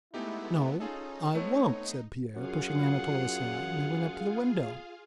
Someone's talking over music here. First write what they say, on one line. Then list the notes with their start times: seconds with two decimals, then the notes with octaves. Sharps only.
"No, I won't," said Pierre, pushing Anatole aside, and he went up to the window.
0.14 G#3 A3 B3 D#4 E4 G4
0.80 C#4 D#4 F4 G#4 A4
1.35 A3 B3 C4 C#5
2.36 F#2 F4 G#4 F5 F#5